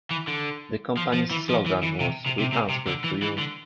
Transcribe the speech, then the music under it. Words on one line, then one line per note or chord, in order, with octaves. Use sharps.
The company's slogan was We answer to you.
E3
D3
F3
F3
E3
F3
E3
E3
C3
C3
C3
C3
C3
D3
E3
E3
D3